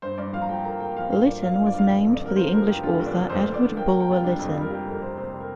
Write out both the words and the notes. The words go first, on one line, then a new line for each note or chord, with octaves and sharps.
Lytton was named for the English author Edward Bulwer-Lytton.
G2 C5
G2 D5
F3 F5
A#5
F3 G5
A#3 A#5
A#3 G5
F3 F5
G2 F5
A#3 D5
F3 F5
G2 F5
D5
G2 F5
F1
F2
D5
D3 A#4
F3 C5
F1 A#4
F3 G4
D3 F4
F1
D4
F3
F2 C5
F2
D5
D3
A#3 G5
A#3 A#5
G5
C3 F4
G3 D4
F2
F4
G3
A#4
G3 G4
F2 A#4
C3 C5
C3 C5
G3
A#4